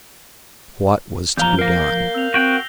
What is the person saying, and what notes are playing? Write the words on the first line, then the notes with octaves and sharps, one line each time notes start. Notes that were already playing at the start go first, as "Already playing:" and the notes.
What was to be done?
E2 F3 F5 A#5 G6 G7
A#4 F5 A#6 C7
F3
C4 E6 F7
C4 F#4 G5